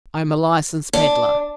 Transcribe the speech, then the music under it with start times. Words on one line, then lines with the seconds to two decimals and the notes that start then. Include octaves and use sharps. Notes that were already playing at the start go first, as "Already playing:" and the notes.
I am a licensed peddler.
0.93 D4